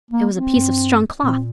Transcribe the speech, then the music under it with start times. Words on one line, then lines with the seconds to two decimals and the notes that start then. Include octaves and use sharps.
It was a piece of strong cloth!
0.11 A#3
0.34 C4
0.56 G2
1.23 A#2 C4